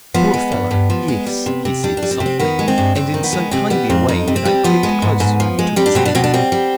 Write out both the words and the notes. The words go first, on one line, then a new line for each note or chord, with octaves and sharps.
"Poor fellow; yes!" he said softly, and in so kindly a way that I crept closer and took his hand.
F3 B3
G#3
G2
G2
F3
G#3
G3
C3
C3
G3 D4
D4
G3
C4
C3
C4
D#3 B3
G#3
C4
G2
G2 C4
D#3
B3
G#3
C3 C4
G3 B3
F2 C4
F2 D#4
C3
C4
G3
F3 B3
G#3
G#2
G#2
F3
G#3
G3 C4
D4
B2 C4
D4
B2 C4
D4
G3 C4
G3